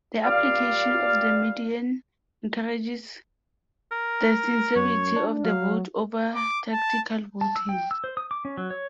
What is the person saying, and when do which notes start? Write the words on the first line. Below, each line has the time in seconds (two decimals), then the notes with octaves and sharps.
The application of the median encourages the sincerity of the vote over tactical voting.
0.25 A#2 G3 D5 F5
3.91 A#4
4.76 F#2 C#5
5.16 D4
5.45 F#3 F5
6.35 D6
6.72 A5
7.41 A5
7.56 E6
7.69 G5
7.91 E6
8.04 C5
8.17 D#6
8.31 D6
8.45 C#4
8.57 F#3
8.70 C#5